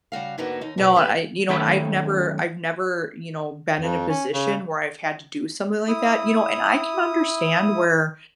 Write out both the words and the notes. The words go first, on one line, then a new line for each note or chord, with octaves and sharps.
No, I you know, and I've never I've never, you know, been in a position where I've had to do something like that, you know, and I can understand where,
C#3 G3 F#4 F5
G#2 D3 A#3 B3 F#4
D#2 D#4
B2 F3 B3 D4
G2 G4 G#4 B4
F#2 D#3 A3 C#4 A#4 B5
F2
C#4
C#3
E4 D#6